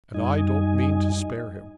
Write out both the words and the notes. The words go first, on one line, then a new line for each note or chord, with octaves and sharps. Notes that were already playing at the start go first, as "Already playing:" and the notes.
"And I don't mean to spare him."
F#2 G3 D#4 D#5 G#5